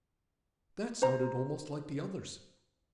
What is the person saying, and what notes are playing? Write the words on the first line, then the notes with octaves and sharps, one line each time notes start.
That sounded almost like the others.
C5 A#5